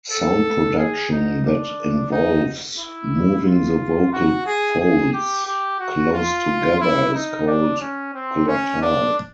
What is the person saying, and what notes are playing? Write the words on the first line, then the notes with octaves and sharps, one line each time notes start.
Sound production that involves moving the vocal folds close together is called "glottal".
A4
G#4
D#4
D4
D#4
E4
F4
F#4
G#4
G#4
G4
G4
F#4
F4
E4
D#4
D4
C#4
C4
C#4
D4